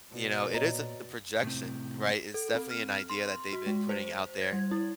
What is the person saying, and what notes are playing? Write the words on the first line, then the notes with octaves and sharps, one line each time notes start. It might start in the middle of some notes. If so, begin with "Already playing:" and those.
you know, it is a projection, right? It's definitely an idea that they've been putting out there.
B2 D5
A#2 C#5 D#5 A#5
A2 C3 C4
A4
C4
F6
C6
F#4
G#3
C5
G#6
G3
E4